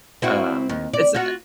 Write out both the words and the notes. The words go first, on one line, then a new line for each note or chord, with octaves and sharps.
um, it's, uh
C4 E4 F#4
D#2
D5
F4 F#4